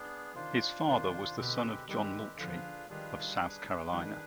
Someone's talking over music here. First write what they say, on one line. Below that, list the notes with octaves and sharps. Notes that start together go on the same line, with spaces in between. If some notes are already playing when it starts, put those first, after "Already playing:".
His father was the son of John Moultrie of South Carolina.
Already playing: B3 D4 G#4
C3 D#3 D4 F4 C5
C3 D#3 D4 F4 C5
B2 D3 G#3 C4 G4 B4
D#3 G3 G#3 C4 G4 B4
D3 F3 D4 F4 G#4 B4 F5
D#3 G3 D4 F4 G#4 B4 F5
D4 G#4 B4
D#3 G3 D4 G#4 B4